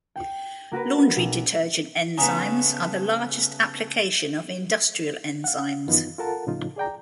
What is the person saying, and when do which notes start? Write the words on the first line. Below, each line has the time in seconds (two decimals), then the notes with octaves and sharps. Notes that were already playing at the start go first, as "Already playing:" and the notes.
Laundry detergent enzymes are the largest application of industrial enzymes.
0.16 G5
0.72 A#3 F#4 A#4 B4
1.16 B1
2.18 C#3 A3 B3 D#4 G#5 A#5
5.44 F5 F#5
5.88 F#2 D#3 E3 B3 D#4 F4
6.18 F4 A4 A#4 F#5 A5
6.47 A2 C#3 F3 D#4 F4
6.76 G#4 D5 G5 A#5